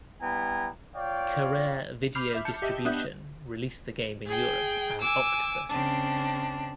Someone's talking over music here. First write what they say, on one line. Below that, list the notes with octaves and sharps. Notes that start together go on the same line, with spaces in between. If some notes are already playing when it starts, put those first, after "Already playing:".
Carrere Video Distribution released the game in Europe as Octopus.
G3 B3 E4 G5 G#5 A#5
F4 C#5 D5 F5 G5
B5 D6 F6 G6 C7 F7
E5 D6
A5 G6 C#7
G4 D#5 E5
B3 D4 E5 D#6 F#6 G6
G#4 G5
G#5 D6 E6
C#3 C4 D4